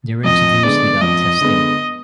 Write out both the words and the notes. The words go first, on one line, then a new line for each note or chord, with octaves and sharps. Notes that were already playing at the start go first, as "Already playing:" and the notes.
They were introduced without testing.
F2 D#5
D3 G#3 B3 D5
F2 D#5
D3 G#3 B3